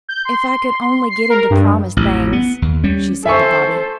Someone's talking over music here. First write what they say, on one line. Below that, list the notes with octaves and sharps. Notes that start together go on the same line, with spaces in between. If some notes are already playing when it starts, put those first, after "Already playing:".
"If I could only get him to promise things!" she said to Bobby.
G6
C6
C7
A#4
G2
A1 F2
B3
D#2
G3 C#4
A4 C5 E5 G#5 C#6